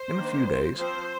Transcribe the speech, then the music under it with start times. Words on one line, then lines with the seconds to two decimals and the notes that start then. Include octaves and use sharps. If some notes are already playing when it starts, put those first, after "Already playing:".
In a few days.
Already playing: C5
0.17 D#3 A#3 D4
0.77 F3 C4 C5